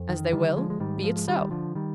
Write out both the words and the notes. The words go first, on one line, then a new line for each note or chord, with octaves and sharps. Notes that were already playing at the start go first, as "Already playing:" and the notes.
As they will. Be it so.
Already playing: F2
D#3
D3 D#3 G3
F3 G#3
G#3
G#2 D#3 G3
F3 G#3
G#3
D#3 G3
D3 F3
D#3 G3